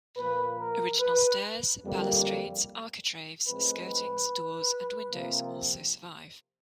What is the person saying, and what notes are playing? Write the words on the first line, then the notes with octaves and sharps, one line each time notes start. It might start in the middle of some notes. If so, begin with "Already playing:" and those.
Original stairs, balustrades, architraves, skirtings, doors and windows also survive.
A#2 F3 A#3 B4
A#4
B4
F2 D3 G3 A#3
A2 F3 G#3 C4 B4
B4
C3 F3 A#3